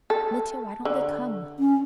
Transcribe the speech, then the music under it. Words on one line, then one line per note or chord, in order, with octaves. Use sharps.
Mitya, why don't they come?
A4
D3
C#4